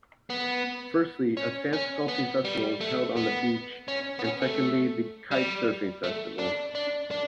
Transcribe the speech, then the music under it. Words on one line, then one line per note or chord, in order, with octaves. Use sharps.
Firstly a Sandsculpting Festival is held on the beach and secondly the Kitesurfing Festival.
B3
C#4
C#4
B3
G3
A3
B3
C#4
B3
C#4
A3
G3
A3
D4
D4
D4